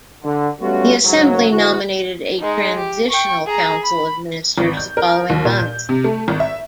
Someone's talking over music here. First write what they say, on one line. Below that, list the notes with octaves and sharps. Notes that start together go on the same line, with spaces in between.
The Assembly nominated a transitional Council of Ministers the following month.
D3
G3 A3 B3 C#4 F4 F#4
G#2 C#3 F#3
D2 E4 F#4
G#3 D#4
G4
G5 C#6
G#4 A#5
B5
G#1
G6
A#4
D#2
A#2
G6
C3
A3
G#1
E5